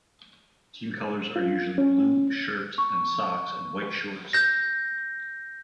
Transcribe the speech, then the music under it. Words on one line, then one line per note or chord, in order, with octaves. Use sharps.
Team colours are usually blue shirt and socks, and white shorts.
F4
C#4
C#6
G6 A#6